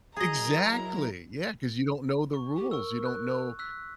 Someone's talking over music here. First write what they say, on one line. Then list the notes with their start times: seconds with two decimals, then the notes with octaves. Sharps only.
Exactly! Yeah, 'cause you don't know the rules. You don't know
0.16 F#3 E4 G#4 A#4 D#5 A#5
2.34 C#6
2.56 G4
2.71 A#4 C#6 E6
3.05 F#6
3.59 E6 F#6 B6